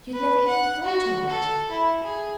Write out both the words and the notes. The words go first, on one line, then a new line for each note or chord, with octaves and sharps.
She had never even thought of it.
B4
F#5
F#4
A4
E4
G#4